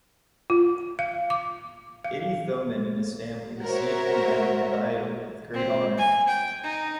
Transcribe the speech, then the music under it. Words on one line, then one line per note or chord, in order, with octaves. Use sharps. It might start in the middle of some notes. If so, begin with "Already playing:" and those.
Itty Thommen and his family received the men and the idol with great honour.
F4
F5
D6
F5
F#4 A#4 C5 C#5 E5
C4
G#5
G5
D#4